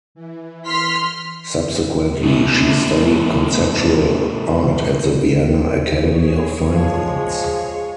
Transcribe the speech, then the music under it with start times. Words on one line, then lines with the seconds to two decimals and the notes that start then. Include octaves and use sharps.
Subsequently, she studied conceptual art at the Vienna Academy of Fine Arts.
0.15 E3
0.66 C6 F6 B6
2.23 G#2 C3
6.00 G#4 C#5
6.75 F3 G#3